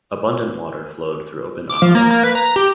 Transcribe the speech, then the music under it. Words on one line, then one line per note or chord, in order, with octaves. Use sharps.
Abundant water flowed through open aqueducts.
D6
F3
A#3
A#3
B4
A#5
G4